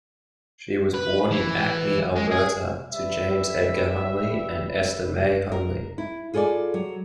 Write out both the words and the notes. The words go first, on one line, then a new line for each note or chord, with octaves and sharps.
She was born in Acme, Alberta, to James Edgar Hunley and Esta May Hunley.
B4
E3
G#3
G#4
G3 B4 E5
A#4
E4
F4 G#4 A4 C5 D5
F#3